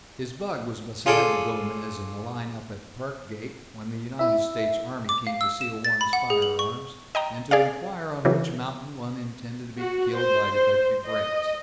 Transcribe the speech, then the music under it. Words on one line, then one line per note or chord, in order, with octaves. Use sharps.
His bug was beside the Gomez in the line-up at the Park gate, when the United States Army came to seal one's firearms, and to inquire on which mountain one intended to be killed by defective brakes.
F4 G#4 A4 D5
E4 E5
D6
F5
E6
E7
A6
B5
F#5
G#4
F#7
C#6
D#5 G5 A#5
G#4 D5 F5
C#3 E3 F#3
F#4
C5
D#5